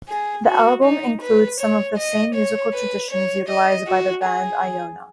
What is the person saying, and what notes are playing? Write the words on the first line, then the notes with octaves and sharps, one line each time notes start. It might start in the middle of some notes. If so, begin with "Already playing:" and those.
The album includes some of the same musical traditions utilised by the band Iona.
G#4
F#4
D#4
B4
C#5
D#5
C#5
B4
C#5
D#5
F#4
G#4